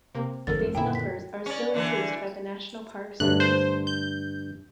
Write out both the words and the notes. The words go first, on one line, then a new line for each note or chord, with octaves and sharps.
These numbers are still used by the National Park Service.
C3 A#3
G#1 F#2 D3 F3 A4 A#4 A6
F#2 A#2 D3 D#3 E4 G5
B6
C#4 D5
D3 E3
G2 D3 A3 F#6
C5
G6